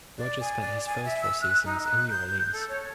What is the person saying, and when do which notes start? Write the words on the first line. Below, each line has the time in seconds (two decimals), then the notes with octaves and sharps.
Rogers spent his first four seasons in New Orleans.
0.18 D5
0.40 G#5
0.61 D5
0.86 G#5
1.05 E5
1.21 E6
1.41 F#6
1.65 D#4
1.85 F#6
2.10 G6
2.53 A4
2.69 C#5